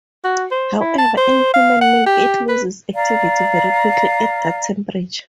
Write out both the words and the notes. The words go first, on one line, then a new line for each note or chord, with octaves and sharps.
However, in human milk it loses activity very quickly at that temperature.
F#4
C5
E4
A5
C5
F5
F#5
G4
B4
D5 F5 A#5